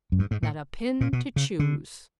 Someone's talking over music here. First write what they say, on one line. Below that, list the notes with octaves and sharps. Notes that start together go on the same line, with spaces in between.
Not a Pin to Choose.
F#2
G2
G#2
A2
A#2
B2
C#3
D3